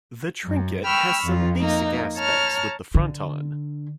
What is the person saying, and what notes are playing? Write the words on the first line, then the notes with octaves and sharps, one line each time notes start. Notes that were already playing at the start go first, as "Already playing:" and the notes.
The trinquet has some basic aspects with the fronton.
F#2
G5 B5 C#6 E6 F6
F2 F4
A#3 D#4
C#5 A5 A#5 F6
D3